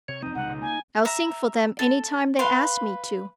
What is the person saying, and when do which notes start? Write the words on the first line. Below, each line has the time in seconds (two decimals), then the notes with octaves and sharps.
I'll sing for them any time they ask me to.
0.08 C3 C#5
0.23 F2 C4 D#4
0.35 C#2 C3 G3 F#5
0.49 B2 D3 G#3
0.61 A#3 G#5
1.05 E5 A#5
1.79 A4
2.39 B4 F5 C6